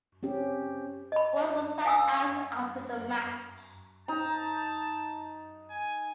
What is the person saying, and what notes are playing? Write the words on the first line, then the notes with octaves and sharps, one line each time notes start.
Walls was sacked hours after the match.
C4 C#4 G4
D#5 B5
F5 G#5 D#6 E6
D#4 A5 A#5
G#5